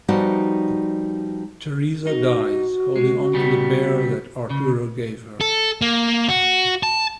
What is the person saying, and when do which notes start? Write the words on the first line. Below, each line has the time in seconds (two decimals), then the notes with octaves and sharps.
Teresa dies holding on to the bear that Arturo gave her.
0.08 F3 G3 B3 D#4 F#4 D5
2.07 D#4 F#4
2.96 G#3
3.33 C#3 G3 B3
4.50 C#3
5.41 A4
5.82 A#3
6.29 F#4
6.83 A5